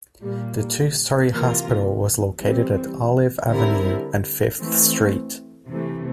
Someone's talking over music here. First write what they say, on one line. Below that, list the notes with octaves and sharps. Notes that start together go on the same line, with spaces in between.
The two-story hospital was located at Olive Avenue and Fifth Street.
A#2 G3 A#3
C3 E3 A#3 F4 A#4
E3 G3 C4
D3 G3 C4 E4 A#4
E3 A3 C4
C3 E3 A3